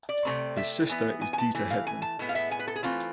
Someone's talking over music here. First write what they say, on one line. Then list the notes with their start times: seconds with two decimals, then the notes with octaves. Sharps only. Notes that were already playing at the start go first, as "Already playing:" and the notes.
His sister is Deta Hedman.
0.09 D5
0.25 C3 E3 A3 C4
0.57 E5
0.89 E3 B3
1.21 G#5
1.33 G#5
1.38 A5
1.55 E3 A3
1.71 F5
1.87 G#5
2.02 A5
2.19 A2 G#3 B3
2.29 F5
2.35 E5
2.51 G#5
2.59 B4
2.67 A4
2.76 G#4
2.83 E3 A3 C4 F4